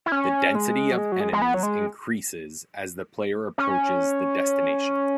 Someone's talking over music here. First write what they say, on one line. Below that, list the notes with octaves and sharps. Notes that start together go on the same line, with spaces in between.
The density of enemies increases as the player approaches the destination.
E4
C#4
G#3
F#3
G#3
F#3
G#3
G#3
B3
F#3
G#3
C#4